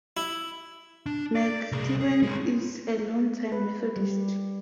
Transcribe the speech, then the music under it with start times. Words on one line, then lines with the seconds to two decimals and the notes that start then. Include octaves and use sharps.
McKibben is a long-time Methodist.
0.17 E4
1.06 D4
1.35 D5
1.72 C2 G#4
2.01 G#4
2.22 G#3 C4
3.52 B4
3.96 G3